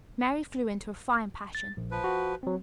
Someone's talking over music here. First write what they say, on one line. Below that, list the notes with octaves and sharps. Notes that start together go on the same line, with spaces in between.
Mary flew into a fine passion.
A6
A#1
F3 B4
F#4
F#3 C4